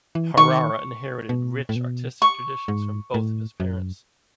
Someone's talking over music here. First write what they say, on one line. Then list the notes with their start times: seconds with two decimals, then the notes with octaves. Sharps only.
Herrera inherited rich artistic traditions from both of his parents.
0.15 E3
0.37 D#3 C#6
1.29 B2
1.69 A2
1.76 B2
2.22 C#6
2.68 G#2
3.14 A2
3.60 F#2